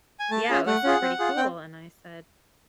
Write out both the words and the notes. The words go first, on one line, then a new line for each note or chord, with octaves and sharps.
Yeah. It was pretty cool, and I said,
G#5
A3 A5
C#4 F4 G#4
A3 F#5
C#4 F4 G#4
C4
F4 G#4
C4 G5